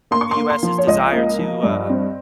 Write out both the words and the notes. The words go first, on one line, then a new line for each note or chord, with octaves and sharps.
the US's desire to, uh
A#3 C6
C#6
C6
A#3
C6
F3
C#5
C#2 D#5
A#3
F3
G2
C4